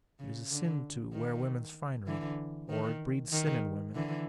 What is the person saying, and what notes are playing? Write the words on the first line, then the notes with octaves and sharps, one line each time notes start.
It is a sin to wear woman's finery; or it breeds sin in women.
C#3
D3
D#3
D3 E3
D#3
D#3
D3 E3